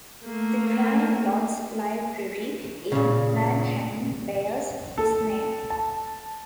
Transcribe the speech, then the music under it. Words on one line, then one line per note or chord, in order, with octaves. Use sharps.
The Grand Lodge's library in Manhattan bears his name.
A3 A#3
A#2 C#3
A4
A5